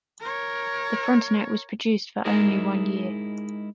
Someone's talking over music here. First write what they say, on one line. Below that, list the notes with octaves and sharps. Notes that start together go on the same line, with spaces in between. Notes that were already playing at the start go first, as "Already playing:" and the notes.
The Frontenac was produced for only one year.
A#4 C#5
G#3 D#4 E4 G#4 A#4 D#5